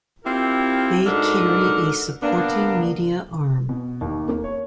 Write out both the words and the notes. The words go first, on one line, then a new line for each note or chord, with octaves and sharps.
They carry a supporting media arm.
C4 E4 F4 G4 A#4
G#2 D4 F#4 A4 A#4
A#3 B3 D4
B2
D#2
A#3
C#5